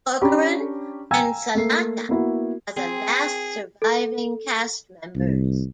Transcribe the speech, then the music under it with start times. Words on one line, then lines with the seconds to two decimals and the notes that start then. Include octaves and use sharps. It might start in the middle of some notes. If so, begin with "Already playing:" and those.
Corcoran and Salata are the last surviving cast members.
0.21 C#4 D4 G4 A#5 B5 C#6
1.11 F5 G5 G#5 A#5 E6 G#6
1.55 A3 A#3 C7
2.09 A#3 B3 E4 F#4
2.77 C4 G#4
3.82 A4
5.15 C2